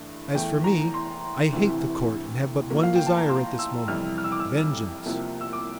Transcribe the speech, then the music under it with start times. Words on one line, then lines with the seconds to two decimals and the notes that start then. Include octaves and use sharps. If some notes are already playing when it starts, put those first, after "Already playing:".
As for me, I hate the court and have but one desire at this moment--vengeance.
Already playing: G2 E3 A3
0.34 E2 E3 A3 G5
0.64 A#5
0.94 C6
1.53 D2 C3 E3
2.70 A2 F3 A#3
2.83 F5
2.96 G5
3.07 A5
3.18 A#5
3.29 C6
3.59 E6
3.88 F2 C3 E3 G3 F6
4.18 F6
4.24 E6
4.32 D6
4.40 E6
5.05 C2 C3 F3 A#3
5.41 E6
5.53 D6